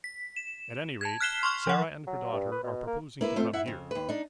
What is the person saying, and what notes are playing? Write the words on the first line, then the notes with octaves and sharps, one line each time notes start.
"At any rate, Sarah and her daughter are proposing to come here."
B6
E7
A5 G#6
F6 F#6 B6 C7 E7 G7
C6 C#6 F6
F3 F#5
F#3
G2
B4
B2
A#3
A#3 E4 B4
A3 C4 F4 C5
E4 E5 F#5
F2 C#3
D#2 B4
D4 D#4